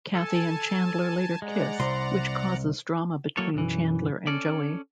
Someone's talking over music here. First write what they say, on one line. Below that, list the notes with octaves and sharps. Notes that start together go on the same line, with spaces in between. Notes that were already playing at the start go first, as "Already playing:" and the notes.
Kathy and Chandler later kiss, which causes drama between Chandler and Joey.
A4 G#5 A5
G#3 D5 F#5 A#5
C2 C6
F#3 A#3 E4 A4 C#5
B1 F#2 E3
C#4 A4 D5